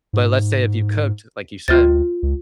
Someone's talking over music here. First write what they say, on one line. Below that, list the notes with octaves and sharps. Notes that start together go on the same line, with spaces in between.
but let's say if you cooked like you said,
G#2
D2 F4 A6
C#2